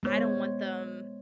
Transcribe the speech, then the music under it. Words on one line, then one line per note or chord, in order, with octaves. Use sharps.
I don't want them
G#3 B3 C5 C#5